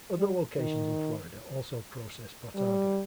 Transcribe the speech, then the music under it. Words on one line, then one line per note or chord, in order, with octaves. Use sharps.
Other locations in Florida also process bottarga.
G3
D#3
G3